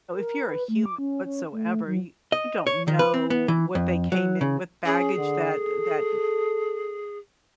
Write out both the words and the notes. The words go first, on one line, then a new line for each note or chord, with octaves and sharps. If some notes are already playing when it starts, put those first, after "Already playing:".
know if you're a human whatsoever, you don't know what they came in with, baggage that that
A#4
B4
A3
D6
C#4
C#4
A3
F#3
D#5
C#5
D#3
B4
C4
B3
E3
F2
F#3
C#3
C#4 G#4
D3
A4